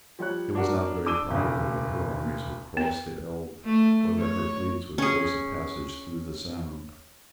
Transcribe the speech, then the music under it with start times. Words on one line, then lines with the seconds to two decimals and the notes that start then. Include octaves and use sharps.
It was not very probable that her armies would cross the Elbe, or that her fleets would force a passage through the Sound.
0.19 F3 G3 C#5 F#6
0.55 D4 F#4 A#4
1.06 D4 D6 E6 D#7 G7
1.31 E1 C#3
2.77 B3
3.64 A3
4.19 C#5
4.98 C#4 G#4